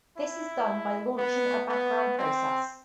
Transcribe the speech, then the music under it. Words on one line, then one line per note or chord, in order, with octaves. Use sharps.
This is done by launching a background process.
E4
B3
B3
C4